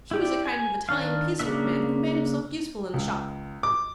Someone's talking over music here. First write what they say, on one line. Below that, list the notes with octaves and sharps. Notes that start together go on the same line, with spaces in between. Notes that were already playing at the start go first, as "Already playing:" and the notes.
He was a kind of Italian piece-work man, who made himself useful in the shop.
E4 G4 D5
G#5
D#3 D4 F5
C#3 A#3 D4 E5
C#2
D6